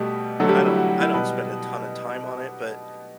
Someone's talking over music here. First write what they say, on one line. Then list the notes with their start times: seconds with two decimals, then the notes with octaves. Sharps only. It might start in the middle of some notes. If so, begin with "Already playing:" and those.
and I don't I don't spend a ton of time on it, but
Already playing: B2 G3 A3 G4
0.40 D3 F#3 A3 A4
0.49 G3 G4
0.58 F#4
0.68 E4
0.77 F#4
0.89 F#4
1.01 E4
1.13 B2 G3 B3 B4